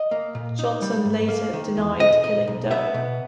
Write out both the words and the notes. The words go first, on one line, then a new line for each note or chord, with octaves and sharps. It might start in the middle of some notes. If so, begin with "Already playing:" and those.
Johnson later denied killing Doe.
Already playing: D#5
A#3
A#2
D#4
G3
G#2
A#3
D#3
E2
B1 D#5
A#2 D#5
B1
B3 E5
B2